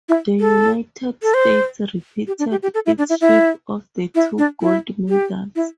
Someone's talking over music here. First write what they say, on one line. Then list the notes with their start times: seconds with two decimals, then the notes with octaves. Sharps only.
The United States repeated its sweep of the two gold medals.
0.09 E4
0.40 A4
1.23 A4
1.34 C5
2.27 G4
2.39 D4
2.51 G4
2.63 G4
2.74 A4
2.86 E4
2.98 D4
3.09 E4
3.21 E4
4.15 E4
4.38 D4
4.62 E4
5.09 G4
5.56 E4